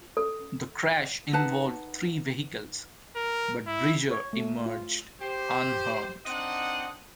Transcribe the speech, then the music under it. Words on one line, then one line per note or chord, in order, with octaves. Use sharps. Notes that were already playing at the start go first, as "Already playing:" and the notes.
The crash involved three vehicles, but Bridger emerged unharmed.
A4
D#4 B4 F#5 A5
A#4
E4
C#5
A3
F4
G4 C5
C4 D4 D#4 D#5 F#5